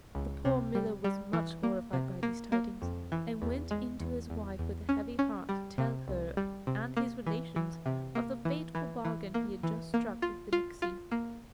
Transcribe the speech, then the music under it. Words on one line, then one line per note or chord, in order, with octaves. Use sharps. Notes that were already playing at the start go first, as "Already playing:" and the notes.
The poor miller was much horrified by these tidings, and went in to his wife with a heavy heart to tell her and his relations of the fatal bargain he had just struck with the nixy.
C#2
C3
G3
G3
E3
A#3
C3
A#3
A#3
F2
E3
E2
G#3
E2
E2
E2
C#4
C#4
G3
C3
C2
G3
C3
A#3
E3
E3
C3
A#3
E3
E3
E3
A#3
E3
A#3
F4
F4
F4
A#3